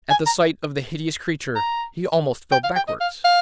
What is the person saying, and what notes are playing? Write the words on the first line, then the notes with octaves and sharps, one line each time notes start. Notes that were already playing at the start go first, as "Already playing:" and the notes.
At the sight of the hideous creature he almost fell backwards.
G#5
A#5
A#5
G5
F5
G5
D#5
F5
F5